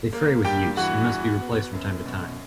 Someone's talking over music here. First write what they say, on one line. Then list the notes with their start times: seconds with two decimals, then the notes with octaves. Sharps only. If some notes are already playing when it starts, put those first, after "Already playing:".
They fray with use, and must be replaced from time to time.
0.13 A#3
0.44 G2 G4 G5
0.77 E3 F#4 F#5
1.09 E2
1.41 B3
1.73 F#2
2.06 B2